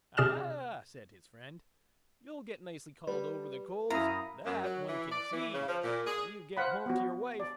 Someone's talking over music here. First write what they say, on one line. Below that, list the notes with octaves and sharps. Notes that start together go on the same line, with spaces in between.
'Ah!' said his friend, 'you'll get nicely called over the coals, that one can see, when you get home to your wife.
C3 G#4 D5 F6 E7
G3 B4
F#2 E4 F5 A#5 B5 D#6
F#2
F#3
E3
D5
E3
C#3
F3
A#2
G#4
C5 F5 F#5 B5
B3 F#4
D5